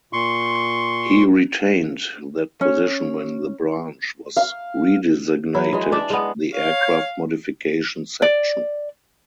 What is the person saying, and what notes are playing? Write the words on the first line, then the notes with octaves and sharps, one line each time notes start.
He retained that position when the branch was redesignated the Aircraft Modification Section.
A#2 C6 C#6
C#4
F5
F#3 E4
E3 G#3
D4 D5 E5
G#3 B3
C#5 F5
D5